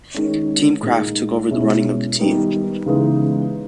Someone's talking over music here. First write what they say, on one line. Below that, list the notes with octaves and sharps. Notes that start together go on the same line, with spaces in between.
Team Craft took over the running of the team.
D#3 G#3 C#4
A#2 G#3 D#4
B2 G#3 C#4 E4
D#3 G3 B3 D#4
C#3 E3 G#3 B3 D#4